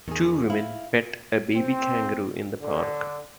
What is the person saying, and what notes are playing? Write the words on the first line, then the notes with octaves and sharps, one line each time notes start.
Two women pet a baby kangaroo in the park.
E2 D#3 G#4
E4 F5
C4
D3